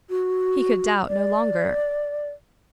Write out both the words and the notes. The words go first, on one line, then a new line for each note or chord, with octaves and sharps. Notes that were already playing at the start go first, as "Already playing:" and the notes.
He could doubt no longer.
F#4
D5